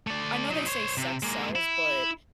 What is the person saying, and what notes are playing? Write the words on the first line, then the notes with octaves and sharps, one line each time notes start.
I know they say "sex sells" but
A3 D5
F#3 D#4
C5 C#5
C3
G#3 A#3
E4